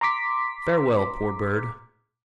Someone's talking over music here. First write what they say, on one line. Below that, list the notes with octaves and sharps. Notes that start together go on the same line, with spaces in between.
Farewell, poor bird!
A#5 C6 D6 B6